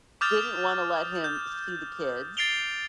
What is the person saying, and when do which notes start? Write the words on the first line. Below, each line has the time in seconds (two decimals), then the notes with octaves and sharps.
didn't want to let him see the kids,
0.21 D6 D#6 F6 G6 A6 F7
1.24 G6
2.37 A6 C7 D7 F7 G7